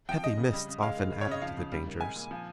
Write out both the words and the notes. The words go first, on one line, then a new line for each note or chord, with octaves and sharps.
Heavy mists often added to the dangers.
F3 G5
G#3 D#5
C#3
G3
C#3
G#3 F5
D#3
G#3
C#5
C#3 D#5
F3 F5
C#3
G3
D#3
G#3 G#5
A#2
F3